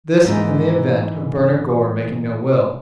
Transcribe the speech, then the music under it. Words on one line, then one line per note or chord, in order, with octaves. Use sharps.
This in the event of Bernard Gore making no will.
G#2 E3 A#3 D#4